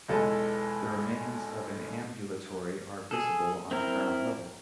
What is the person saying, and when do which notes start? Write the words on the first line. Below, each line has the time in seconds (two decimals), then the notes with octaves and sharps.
The remains of an ambulatory are visible on the ground level.
0.08 B1 E2 G#3 A4 B4
3.11 G#4 A4
3.71 C4 E4 A#4